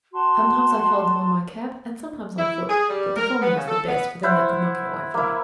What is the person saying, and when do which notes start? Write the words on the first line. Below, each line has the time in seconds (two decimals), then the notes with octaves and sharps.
Sometimes I followed them on my cab, and sometimes on foot, but the former was the best, for then they could not get away from me.
0.12 F#4 A5 C6
2.39 E4
2.70 G#4
2.90 G3
3.17 A#4
3.42 B3
3.56 C#3
3.68 A4
3.88 B3
4.23 E4 C5 F#5
5.14 A#3 E4